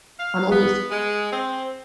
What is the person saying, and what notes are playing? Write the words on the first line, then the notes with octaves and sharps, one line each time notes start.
I'm almost
F5
B3
G#3
C4